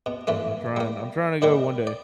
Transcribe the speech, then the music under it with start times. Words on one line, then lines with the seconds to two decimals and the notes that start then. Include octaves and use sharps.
I'm trying I'm trying to go one day.
0.06 B2
0.27 G2 E3 A3 A#3
0.76 G3 A#3
1.42 A#2 D#3 G3 A#4
1.87 D5